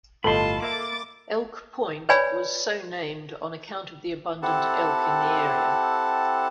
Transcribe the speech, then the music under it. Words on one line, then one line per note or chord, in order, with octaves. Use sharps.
Elk Point was so named on account of the abundant elk in the area.
G1 A2 F4 A4 D#5 A5 B5 C6
A#3 E5 D6 A6
B4 C#5 D5 G#5 B5
C4 E4 G4 A4 F#5 A5